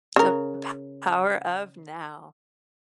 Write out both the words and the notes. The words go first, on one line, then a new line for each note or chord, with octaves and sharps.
The P Power of Now.
C#3 A#4